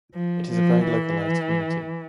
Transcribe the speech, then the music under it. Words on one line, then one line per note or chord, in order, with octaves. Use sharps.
It is a very localised community.
F3
F3
E3